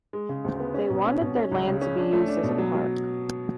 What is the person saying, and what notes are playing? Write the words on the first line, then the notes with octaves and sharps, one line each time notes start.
They wanted their land to be used as a park.
G#3
C#3
D2
B3
C#4
B2
C#4
B2
C#4
C#2
C#3
C#4
D4
A3
D4
B2
F#3
F#3